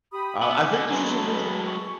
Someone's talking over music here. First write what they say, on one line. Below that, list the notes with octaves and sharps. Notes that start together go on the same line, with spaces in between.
I w I think this is a really
G4 B5 D#6
B3 G#5 D6 E6
B2
F#3 G#3 B4 A5
C#6